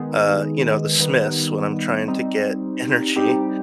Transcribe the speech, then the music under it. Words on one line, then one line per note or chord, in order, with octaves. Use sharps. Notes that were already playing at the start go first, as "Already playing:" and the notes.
uh, you know, the Smiths when I'm trying to get energy.
Already playing: D#3 G#3 B3 D#4 G#4
D#3 G3 B3 D#4
G3 C4 D#4
G3 C4 D#4 G4